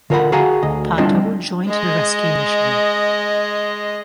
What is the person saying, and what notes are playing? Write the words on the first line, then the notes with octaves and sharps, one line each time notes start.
Pato joined the rescue mission.
D3 F4 A#4 C5 F#5 B5
F#4 G#4 F5 F#5 G#5 A#5
D2 D#5
G3 C4 D4 E4 F4 D#5
G#3 D#5